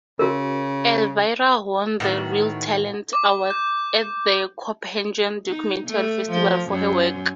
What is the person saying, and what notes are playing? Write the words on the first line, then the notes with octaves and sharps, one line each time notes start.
Elvira won the Reel Talent Award at the Copenhagen Documentary Festival for her work.
C#3 F#4 A#4
A2 D#3 B3 F#4
D6
G6
D#4
A3
F3
F#2